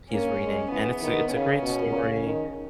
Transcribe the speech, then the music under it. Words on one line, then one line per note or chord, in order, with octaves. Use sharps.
he's reading, and it's a it's a great story,
A#3 C#4
G#3
E3 B3
D#3 B3
C#3 C#4
B2
C#3
D#3